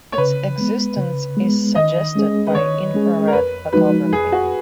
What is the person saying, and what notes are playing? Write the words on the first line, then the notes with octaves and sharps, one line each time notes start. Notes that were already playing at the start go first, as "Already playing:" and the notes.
Its existence is suggested by infrared photography.
C#5
C#3 B4
G#3 B3
C#3
G#3 B3
D#3 D#5
G#3 C#4 G#4
B4
D#3 C#5
G#3 C#4 G#4
A#4
F2 B4
F3 G#3 D#4 F#4 B4
F2 G#4
F#4